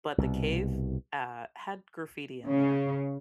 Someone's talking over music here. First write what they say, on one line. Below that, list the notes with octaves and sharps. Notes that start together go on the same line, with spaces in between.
but the cave, uh, had graffiti in there,
C2 B2
C#3